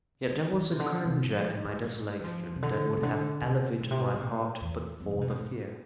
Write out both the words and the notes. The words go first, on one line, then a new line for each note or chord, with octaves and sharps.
Yet there was a grandeur in my desolation that would have elevated my heart but for the fear.
G#3
E3
C3
D3
C3
F3
G#3
G#3
G#3
G#3
F3
C3
D3
C3
D3
C3
B2
C3
B2
B2
A2
E2
F2
C3
B2
A2
G#2